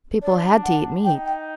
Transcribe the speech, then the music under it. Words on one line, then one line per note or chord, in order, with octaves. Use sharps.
People had to eat meat.
D4 D5
F#5
D#4 G5
G5